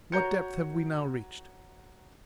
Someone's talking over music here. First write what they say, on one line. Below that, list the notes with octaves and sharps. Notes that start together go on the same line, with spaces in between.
"What depth have we now reached?"
F#4 C#5 A#5 G6 C#7